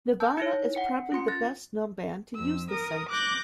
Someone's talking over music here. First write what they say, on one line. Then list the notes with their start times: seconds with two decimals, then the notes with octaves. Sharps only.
Nirvana is probably the best known band to use the site.
0.20 A5 E6 G6
0.37 D#4 E4 C#5
0.75 F#5 G5 C#7
1.12 C#4 F4 C6 C#7
1.28 F#6 A6 A#6
2.35 F2 E6
2.70 A#4 D#6
3.09 D6 F#6 G6 A#6